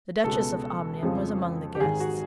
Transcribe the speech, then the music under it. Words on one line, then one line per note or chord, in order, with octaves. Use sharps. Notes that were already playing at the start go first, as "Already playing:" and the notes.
The Duchess of Omnium was among the guests.
C#2 B2 G#3 B3 A4
F2 C#3 F3 G#3
G4
G#1 G#2 D#3 G#4
F#4